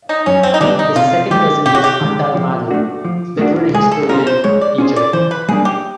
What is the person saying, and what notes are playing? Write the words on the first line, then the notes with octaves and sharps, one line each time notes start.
His second cousin was Antal Mádl literary historian, teacher.
D#4
F#2 C#4
C4
D#4
D#3 G3 B3 D4
D#4
C3 F4
D#3 G#3 G4
C3 G4
F#4
G4
D#3 G#3
F3
A3 D4 F#4
F3
A3 D4 F#4
G#3 G#4
A4
C#4 F4 G#4 A#4 C5
C5
G#3 C#5
D5
C#4 F4 G#4 C5
D5
E3 C5
B4
G3 A#3 D4 G#4
G4